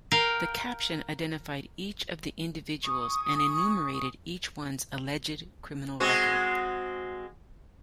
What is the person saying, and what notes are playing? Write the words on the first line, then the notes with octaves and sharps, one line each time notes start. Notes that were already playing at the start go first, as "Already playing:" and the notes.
The caption identified each of the individuals and enumerated each one's alleged criminal record.
A#4 F5 G5
G#5 C#6 D#6
G#3 C4 F#4